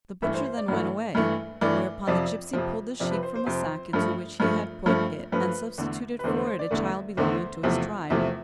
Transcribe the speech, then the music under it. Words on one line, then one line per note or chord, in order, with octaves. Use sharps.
The butcher then went away; whereupon the gipsy pulled the sheep from a sack into which he had put it, and substituted for it a child belonging to his tribe.
G2 E3 A3 E5
C5
C5
D5
G2 E3 A3
G2 E3 A3
G2 E3 A3 D5
F2 C3 F3 D5
F2 C3 F3
F2 C3 F3 D5
B4
C5
C5
F2 C3 F3 C5
G2 F3 A3
G2 F3 A3
G2 F3 A3
G2 F3 A3 B4
E2 D3 A3
B4
E2 D3 A3 C5
C5
C5
D5
E2 D3 A3
E2 D3 A3 C5
E2 C3 F3 A3
E2 C3 F3 A3